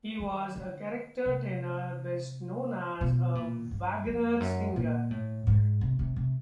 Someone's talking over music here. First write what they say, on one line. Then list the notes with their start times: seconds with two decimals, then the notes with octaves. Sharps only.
He was a character tenor best known as a Wagner singer.
0.19 D#3
0.55 D3
1.25 C3
3.01 B2
3.35 A#2
3.71 G2
4.06 F2
4.40 F#2
4.76 A#2
5.11 A2
5.47 G#2
5.81 C3
5.99 C3
6.16 C3